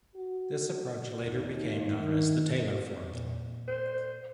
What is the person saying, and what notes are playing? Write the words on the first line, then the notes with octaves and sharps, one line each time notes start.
This approach later became known as the "Taylor Formula".
F#4
D#2
D#3
A#2
C5